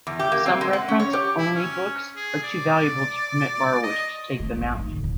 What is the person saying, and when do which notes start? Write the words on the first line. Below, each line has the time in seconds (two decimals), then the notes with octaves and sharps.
Some reference-only books are too valuable to permit borrowers to take them out.
0.07 E2
0.19 G4
0.32 A#3
0.46 C4
0.61 G#3
0.73 F#5
0.88 C#4
1.00 C#5
1.13 G4
1.38 E4
1.55 C#4
2.16 G#4
2.43 D5
3.83 D#5
4.40 A3 C4
4.57 G#1 F#2
4.79 D#4
4.91 G2 D3
5.04 D1